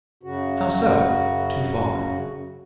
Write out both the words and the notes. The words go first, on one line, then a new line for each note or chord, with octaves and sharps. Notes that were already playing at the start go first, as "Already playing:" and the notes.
"How so--too far?"
F#2 C#3 F#4